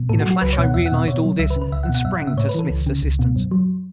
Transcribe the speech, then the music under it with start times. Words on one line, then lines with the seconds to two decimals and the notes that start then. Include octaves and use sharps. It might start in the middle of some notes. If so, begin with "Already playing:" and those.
In a flash I realized all this and sprang to Smith's assistance.
Already playing: B2
0.09 A2 A4
0.20 F#4
0.25 F#3
0.31 F#4
0.41 C#2 B4
0.53 C#5
0.58 B2
0.63 F#5
0.74 E2 E5
0.86 F#5
0.92 B2
0.97 E5
1.07 B2 C#5
1.23 F#3
1.39 C#2 E5
1.50 B4
1.56 C#3
1.61 B4
1.72 C#2 E5
1.83 F#5
1.89 B2
1.95 F#5
2.05 F#2 E5
2.16 F#5
2.22 C#3
2.27 E5
2.37 A2 C#5
2.49 B4
2.54 E3 A4
2.70 C#2
2.86 C#3
3.02 C#2
3.19 B2
3.36 F#2
3.51 F#3